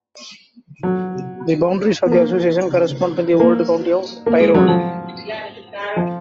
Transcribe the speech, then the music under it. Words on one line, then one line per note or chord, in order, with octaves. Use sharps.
The boundaries of the association correspond to the old County of Tyrol.
F#3
B3
A#3
A#3
A#3
G#3
F#3
F3
F3